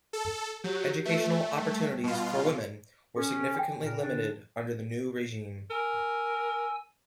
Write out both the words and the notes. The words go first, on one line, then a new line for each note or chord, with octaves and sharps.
Educational opportunities for women were significantly limited under the new regime.
A4
F#3 F#4 G4
A3 F4 B4 E5
G3
B2 F4
C#4 G4 A4
G5 G#5
A#2 A#4
D3 D4
A#4 G#5 E6